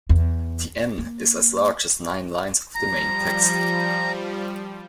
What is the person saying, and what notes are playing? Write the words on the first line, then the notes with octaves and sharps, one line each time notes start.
The N is as large as nine lines of the main text.
E2
A#3
F3 G3 A#5